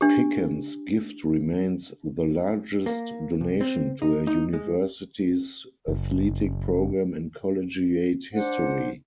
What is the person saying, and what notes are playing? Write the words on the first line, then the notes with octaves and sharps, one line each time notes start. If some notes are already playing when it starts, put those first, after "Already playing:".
Pickens' gift remains the largest donation to a university's athletic program in collegiate history.
D4 G4
A#3
C2
C4
D#4
D#4
G#3
F#1
D4 C5 F#5